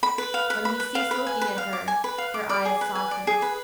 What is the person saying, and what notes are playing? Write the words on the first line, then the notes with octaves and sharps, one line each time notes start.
When he ceased looking at her, her eyes softened.
B5
B4
F5
B4
B5
B4
F5
B4
G#5
B4
F5
D6
G#5
B4
F5
D6
D5
G#4
B4
G#5
D5
G#4
B4